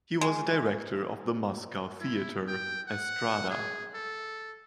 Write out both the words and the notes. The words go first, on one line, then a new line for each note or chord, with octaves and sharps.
He was a director of the Moscow theatre "Estrada".
G#3
E4
G5
F#5
G#4
A4